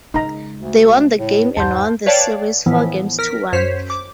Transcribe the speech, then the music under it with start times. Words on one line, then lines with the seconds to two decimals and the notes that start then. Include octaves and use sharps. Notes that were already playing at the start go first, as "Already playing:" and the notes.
They won the game and won the series four games to one.
0.14 C#3 G#3 D#4 A#5
0.59 D2
1.19 A2
1.57 E2 G#2 A5 C6 G6
2.06 B4 C#5 D5 F5 G5 A5
2.66 A2 E3 F3 B3
3.19 A#4 F6 B6
3.53 F#2 C5 C#5 B6
3.90 D6